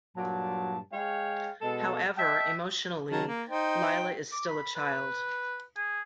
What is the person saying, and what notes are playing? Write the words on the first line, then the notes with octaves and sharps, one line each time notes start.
However, emotionally Leila is still a child.
G2 A#2 F#3 A5
G#3 C#5 F5 G5
B2 G#3 A4
D#5 E5 G5 A5
D#3 F#3 A5
A#3
D#4 C5 G5
D6
B5
B4
G#4